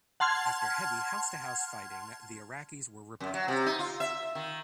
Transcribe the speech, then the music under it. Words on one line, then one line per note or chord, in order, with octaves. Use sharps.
After heavy house-to-house fighting, the Iraqis were repelled.
F#5 A5 C6 F6 G#6
F#2
F#3
C3
D#4
F4
E5
D#3